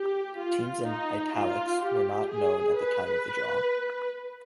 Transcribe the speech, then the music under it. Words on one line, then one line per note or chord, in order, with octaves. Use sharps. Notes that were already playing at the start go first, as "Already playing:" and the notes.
Teams in "Italics" were not known at the time of the draw.
Already playing: G4
F4
D#4
F4
G4
G#4
B4